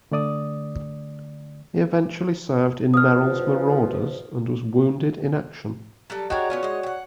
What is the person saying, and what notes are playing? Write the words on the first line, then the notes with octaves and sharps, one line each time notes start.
He eventually served in Merrill's Marauders and was wounded in action.
D3 A3 D5 D#6
E2 B2 F3 D#6 F6
F#3 G3 A4
D4 F#4 G#4 A#4 C#5 D#5 F#5 G5
B3 C#4 F4 D5
G#3 D#5
F#5 G5